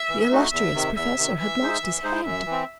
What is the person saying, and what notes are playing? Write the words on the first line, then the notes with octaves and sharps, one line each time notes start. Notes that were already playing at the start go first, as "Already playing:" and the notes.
The illustrious professor had lost his head.
Already playing: E5
E3
A3 D#4 F#4
E2 E5
C3 D#3
E2 E5
C3 D#3
E3 E5
G#3 D#4 G#4 C5
E3
G#3 D#4 G#4 C5
F#2 E5
E3
C4